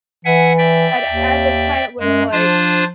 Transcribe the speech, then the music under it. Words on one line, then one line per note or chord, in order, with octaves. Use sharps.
and at the time, it was like
E3 E5 F#5 G#5
D5 E5 G5
D#2
F#2 G#3
F3 D4 F4 C5